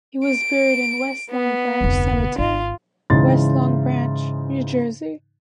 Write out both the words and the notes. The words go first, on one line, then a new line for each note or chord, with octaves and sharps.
He was buried in West Long Branch Cemetery, West Long Branch, New Jersey.
D7
B3
F1 D2
G#1 F4
G#2 C#3 E3 D#4 C6 A6